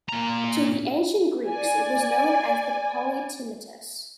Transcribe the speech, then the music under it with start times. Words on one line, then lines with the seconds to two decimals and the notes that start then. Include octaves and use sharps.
To the ancient Greeks it was known as the Polytimetus.
0.09 A#2 A#5
1.48 D5 G#5